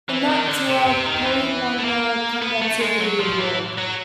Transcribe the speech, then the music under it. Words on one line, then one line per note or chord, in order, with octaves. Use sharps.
In that Tour, Poli won the Combativity award.
E3
D#3
D3
C3
C3
D#3
E3
A3
A#3
B3
A3
G#3
F#3
F3
E3
F#3